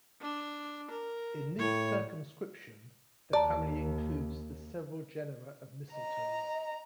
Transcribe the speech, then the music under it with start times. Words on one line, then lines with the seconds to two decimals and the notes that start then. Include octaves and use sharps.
In this circumscription, the family includes the several genera of mistletoes.
0.21 D4
0.90 A#4
1.59 A2 C#5
3.33 D#2 C#5 D5 A5 A#5
5.93 D#5 A#5